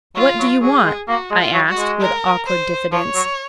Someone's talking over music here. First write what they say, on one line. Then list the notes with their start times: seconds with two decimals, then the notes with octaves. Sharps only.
"What do you want?" I asked, with awkward diffidence.
0.16 F#3 F4
0.39 F#3
0.62 F#3 G#4
0.85 G#3
1.08 A#3 F#4
1.31 G#3
1.38 F4
1.54 F#3
1.69 F#4
1.77 G#3
2.00 A#4
2.46 C5
2.92 F3 C#5
3.15 F#3